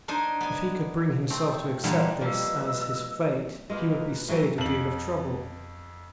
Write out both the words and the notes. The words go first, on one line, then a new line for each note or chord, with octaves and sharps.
If he could bring himself to accept this as his fate he would be saved a deal of trouble.
D4 D#4 C5 G#5
B3 G#5
A3 C4
A#2 D3 E3 G3 G#3
F3 G3 A#3 B4 D#5 E6
G#3 A#3 F4 B4 A#5
A2 E3 F#3 E4 A#5
F2 F#7